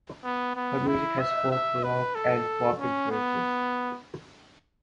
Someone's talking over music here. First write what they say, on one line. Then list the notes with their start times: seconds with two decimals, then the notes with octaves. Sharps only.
Her music has folk, rock, and pop influences.
0.24 B3
0.56 B3
0.88 E4
1.20 E5
1.51 E5
1.83 B4
2.15 A4
2.79 C#4
3.11 B3